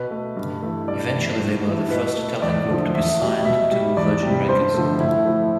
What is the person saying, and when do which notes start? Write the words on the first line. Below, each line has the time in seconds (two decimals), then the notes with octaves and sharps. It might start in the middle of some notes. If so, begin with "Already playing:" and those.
Eventually they were the first Italian group to be signed to Virgin Records.
Already playing: B2 B4
0.11 A3
0.36 G2
0.62 E3 A3
0.88 G2 D5
1.13 E3 A3
1.40 G2
1.65 E3 A3
1.91 B2 B4
2.17 A3
2.42 E2 D5
2.69 D3 F3 A3
2.94 E2 E5
3.19 B2 G3
3.45 B2 E5
3.71 G3
3.97 E2 D5
4.22 C3 G3
4.49 G2 C5
4.74 D3 F3 A3
5.00 A2 E4
5.25 F3 A3